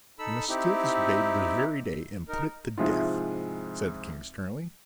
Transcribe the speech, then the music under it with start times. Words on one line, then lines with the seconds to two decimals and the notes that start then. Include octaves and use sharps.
"You must steal this babe this very day and put it to death," said the king sternly.
0.19 D#4 A4 B5 E6
0.49 C4 D#4 E4 G4
2.28 D#4 A#4
2.78 G#2 C3 F3 G#3 E4 F4